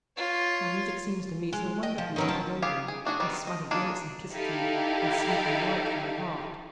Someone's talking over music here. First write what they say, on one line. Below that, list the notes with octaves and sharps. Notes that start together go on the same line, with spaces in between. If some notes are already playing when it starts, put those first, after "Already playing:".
My music seems to me so wonderfully interwoven, in spite of all its simplicity, and speaking right from the heart.
F4 C#5
G#3
D#5 G5
F3
D#3 F#3 C#4 D#4 A#4 B4
F3 A5
B3 G4 G#4 F5
G#4
A3 D4 F#4 G#4
D#3 G3 B3 C4
D#5
A#3 D4 D#4 F4 G#4
D#4 E4 G4 A4 F5